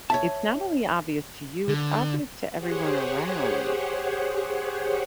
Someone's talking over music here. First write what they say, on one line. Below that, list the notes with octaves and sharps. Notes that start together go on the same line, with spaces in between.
it's not only obvious to you, it's obvious to everyone around
C#5 E5 A5
D3
G4 G#4 C5 C#5 F#5